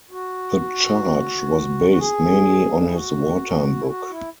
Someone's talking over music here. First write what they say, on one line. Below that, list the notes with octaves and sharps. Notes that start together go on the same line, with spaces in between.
The charge was based mainly on his wartime book.
F#4
F#4
G#4
D4
E4
F#4
E4
F#4
E4